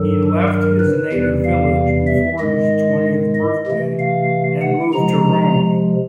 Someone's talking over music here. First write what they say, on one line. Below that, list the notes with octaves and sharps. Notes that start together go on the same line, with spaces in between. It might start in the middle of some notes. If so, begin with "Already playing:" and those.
He left his native village before his twentieth birthday and moved to Rome.
Already playing: G2 D#3 F#3 A4
A#4
B4
E2 C3 E3 G3
F5
E5
G#2 D#3 G#3 D#5
D#5
C3 E3 A3
F5
F#5
C3 F3 G#3 A#5